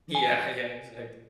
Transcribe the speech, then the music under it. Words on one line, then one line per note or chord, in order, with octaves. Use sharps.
Yeah, yeah, exactly.
G#5